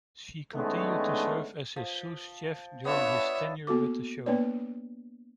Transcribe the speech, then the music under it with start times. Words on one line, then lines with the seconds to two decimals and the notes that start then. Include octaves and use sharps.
She continued to serve as his sous chef during his tenure with the show.
0.55 D#3 G#3 A3 B3 C#4 D4
1.76 F3
2.85 B3 D4 F4 C#5 E5
3.67 A#3 B3 F#4 A4 D6
4.26 A#3 B3 D4 B4 C#5 D5